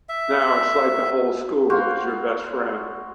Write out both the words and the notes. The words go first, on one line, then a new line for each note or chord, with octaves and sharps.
Now it's like the whole school is your best friend.
E5
F#4 C5 F5 B5